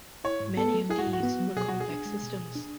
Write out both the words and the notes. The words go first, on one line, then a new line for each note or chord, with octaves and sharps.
Many of these were complex systems.
E4 C#5
G#2
B3 A4
F#3
E4 G#4
F#4
G#2
F#4
B3
F#3
B2 G#4
B2 F#4
G#4
D4
G#3
B2
B2
D4